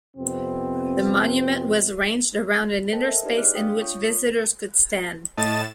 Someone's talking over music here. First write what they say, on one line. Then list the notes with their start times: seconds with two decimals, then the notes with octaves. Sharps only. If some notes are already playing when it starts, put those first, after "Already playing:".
The monument was arranged around an inner space, in which visitors could stand.
0.17 F2 C3 B3 C4
2.91 A4 A#4 C5 D#5 G5 A5
3.09 E5
3.23 D4 D#4 G4 B4 D5 D#5
3.38 G#4 F6 F#6
3.55 D4 F5 G5 D#6 B6
3.81 F4 C#5 C#6 D#6 G6
5.37 A2 D#5 A5 A6 E7